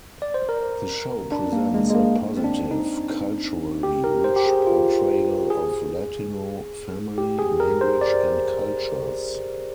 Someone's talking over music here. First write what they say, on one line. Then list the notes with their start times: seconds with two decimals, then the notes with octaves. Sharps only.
The show presents a positive, culturally rich portrayal of Latino family, language and cultures.
0.22 D5
0.34 C5
0.49 A#4
1.32 D4
1.53 A#3
1.74 G#3
1.90 G#3
1.95 A#3
2.37 C4
2.44 D4
2.71 D#4
3.83 G4
4.04 A#4
4.24 C5
4.36 G4
4.46 G#4
4.67 F4
5.50 G#4
7.18 G4
7.39 G#4
7.60 A#4
7.81 C5
8.01 D5